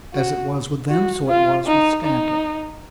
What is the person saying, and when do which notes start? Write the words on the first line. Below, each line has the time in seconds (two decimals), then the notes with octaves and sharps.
As it was with them, so it was with Stanton.
0.14 F#4
0.89 F#4
1.28 F4
1.66 D#4
2.04 D#4